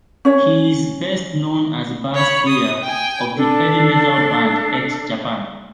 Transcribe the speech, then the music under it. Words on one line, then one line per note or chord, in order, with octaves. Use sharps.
He is best known as bass player of the heavy metal band X Japan.
C#4 C#5
C#5 B5
D#6
G5 G#5
D4 A4